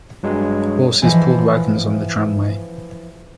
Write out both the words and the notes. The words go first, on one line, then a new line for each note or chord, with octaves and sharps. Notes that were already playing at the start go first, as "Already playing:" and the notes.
Horses pulled wagons on the tramway.
G2 F#3 G#3
E3 F3 D#5 F#5